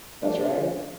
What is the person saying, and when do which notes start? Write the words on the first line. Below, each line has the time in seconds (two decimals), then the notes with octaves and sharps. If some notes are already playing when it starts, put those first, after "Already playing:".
That's right.
0.22 F3 A3 D4
0.55 D3 F3 G#3 C#4 F4